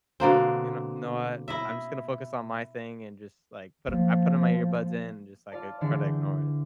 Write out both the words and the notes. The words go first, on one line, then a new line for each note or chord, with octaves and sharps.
"You know know what? I'm just gonna focus on my thing," and just, like, put I put all my earbuds in and just, like, uh, try to ignore it.
B2 D3 A#3 C4
E4 D#5 E5
F3 A#3
F4 D5 A5
D3 E3 D4 G#4 D5
G6